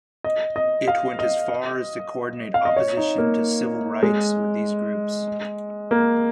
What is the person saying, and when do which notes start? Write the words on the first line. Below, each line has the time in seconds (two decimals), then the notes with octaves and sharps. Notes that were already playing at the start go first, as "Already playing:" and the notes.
It went as far as to coordinate opposition to civil rights with these groups.
0.24 D#5
0.56 D#5
0.88 F5
1.19 D#5
2.54 F5
2.65 D#5
2.76 C#5
2.97 D#4
3.18 A#3
4.03 G#3
5.91 A#3